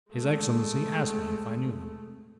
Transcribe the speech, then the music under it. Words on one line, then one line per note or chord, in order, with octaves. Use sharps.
His excellency asked me if I knew them.
G#3 A3